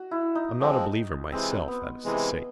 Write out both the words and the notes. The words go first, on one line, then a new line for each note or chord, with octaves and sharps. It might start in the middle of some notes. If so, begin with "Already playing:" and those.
I'm not a believer myself, that is to say.
Already playing: F#4
E4
D#4
F3 G#3 C4
C3 E3 G#3 C4
B3
C3 E3 G#3